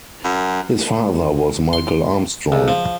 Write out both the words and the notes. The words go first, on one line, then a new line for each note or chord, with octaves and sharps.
His father was Michael Armstrong.
F#2
C6
C#2
F3